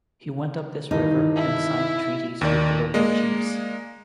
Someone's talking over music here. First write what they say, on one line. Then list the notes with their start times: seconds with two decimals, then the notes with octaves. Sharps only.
He went up this river and signed treaties with the local chiefs.
0.91 G2 D#3 E3 D#4
1.35 E4
2.41 D#2 D#3 D5
2.94 G#3 A#3 D5 D#5